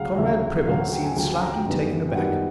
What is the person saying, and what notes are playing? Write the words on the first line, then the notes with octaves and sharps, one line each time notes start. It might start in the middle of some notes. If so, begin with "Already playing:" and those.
Comrade Prebble seemed slightly taken aback.
Already playing: D2 C#3 F#3 F5 F#5
D2 C#3 F#3 E5
D2 C#3 F#3 F5
F#5
G5
G#5
D2 C#3 F#3 G5
G#5
A#5
G5
F#2 D#3 G3 B3
G5
F#2 D#3 G3 B3 F#5